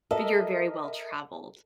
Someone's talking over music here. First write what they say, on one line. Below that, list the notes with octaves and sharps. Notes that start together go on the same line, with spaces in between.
you're very well traveled.
A4 A#4 D#5 E5